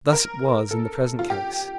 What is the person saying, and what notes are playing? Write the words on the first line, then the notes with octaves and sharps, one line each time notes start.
Thus it was in the present case.
A#4
A4
F4
G4